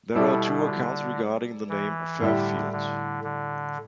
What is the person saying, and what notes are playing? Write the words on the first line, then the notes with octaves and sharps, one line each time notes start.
There are two accounts regarding the name "Fairfield".
B2 G3 E4 A4 D5
D3
E3
A2 D3 G3 E4 G4
D3
D3